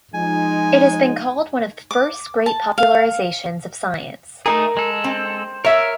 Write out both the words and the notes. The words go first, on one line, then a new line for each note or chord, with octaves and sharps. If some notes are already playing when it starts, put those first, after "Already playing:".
It has been called one of the first great popularizations of science.
F3 G#3 D#4 G#5
D6
A5
F5
A3 D#4 G#4 A#4
G#3 A4
C4
A#4 C#5 E5